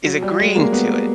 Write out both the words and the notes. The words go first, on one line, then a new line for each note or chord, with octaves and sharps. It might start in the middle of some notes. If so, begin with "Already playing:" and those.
is agreeing to it,
F#3
G3
G#3
A#3
B3